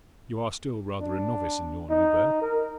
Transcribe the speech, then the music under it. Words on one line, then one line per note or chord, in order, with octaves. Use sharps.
You are still rather a novice in your new berth.
D4
D#4
A#4